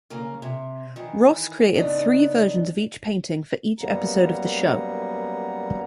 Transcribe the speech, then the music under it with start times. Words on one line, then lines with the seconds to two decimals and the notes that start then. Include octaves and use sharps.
Ross created three versions of each painting for each episode of the show.
0.10 C#3 A#3
0.42 C3
0.96 D#3 E3
1.75 C#3 B3 D4 D#4
3.79 F#2 G3 A#3 B3 A#5